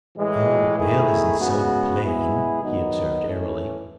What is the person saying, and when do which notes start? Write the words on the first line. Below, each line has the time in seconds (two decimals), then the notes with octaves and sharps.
"Oh, Bill isn't so plain," he observed airily.
0.17 A2 E3 G#3
0.78 D#3 A3 E4 G#4
1.39 C#3 G#3 B3 F#4
2.02 G#3 B3 E4 G#4
2.62 D#3 F#3 B3 D#4
3.24 E3 A3 C#4